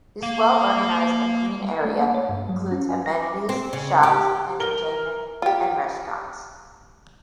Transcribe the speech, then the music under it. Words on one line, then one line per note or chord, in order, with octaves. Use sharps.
This well organized and clean area includes amenities, shops, entertainment and restaurants.
A#3 F5
A3
A#3
C#5
G2
F#3
C#4
G#5
A#6
D6
C4
C#3
G4
A#4 G7
F4 G4